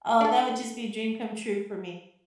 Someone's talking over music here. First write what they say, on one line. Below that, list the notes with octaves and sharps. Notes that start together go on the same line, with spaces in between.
oh, that would just be a dream come true for me.
D4 A4